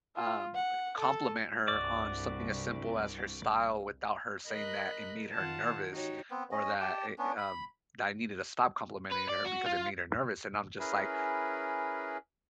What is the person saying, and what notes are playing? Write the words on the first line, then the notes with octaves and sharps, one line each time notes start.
um, compliment her on something as simple as her style without her saying that it made her nervous or that it, um that I needed to stop complimenting her because it made her nervous, and I'm just like,
F4
F#5
A4
C2 G2 F#4 D5
A#4 D#5 B5 F#6
D#3 F4 F#5 A5
D#4 F#4 G4 C#5
B3 C4
C#4 D#5
G4 G5 A5
B3 C#4 D4
B5
B4
D5
F#4
F4
C#4 E4 G#4 A#4 B4